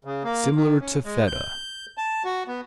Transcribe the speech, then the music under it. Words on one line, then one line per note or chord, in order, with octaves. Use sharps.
Similar to Feta.
C#3
A#3
D#3
C#4
G#3
G6
A5
F#4
B3